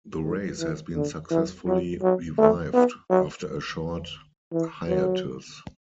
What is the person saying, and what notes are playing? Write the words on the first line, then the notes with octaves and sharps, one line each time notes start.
The race has been successfully revived after a short hiatus.
G#2
E3
D3
E3
F#3
F#3
A3
B3
F#3
E3
F#3